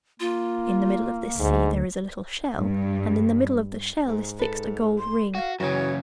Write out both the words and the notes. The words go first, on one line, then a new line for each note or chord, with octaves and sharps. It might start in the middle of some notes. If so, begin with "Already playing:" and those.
In the middle of this sea there is a little shell, and in the middle of the shell is fixed a gold ring.
A#3 F4
D2 G#2
G2
G#2
A4 B4
C6
F#4 F5
F#2 C#3 E3 F#4 C#5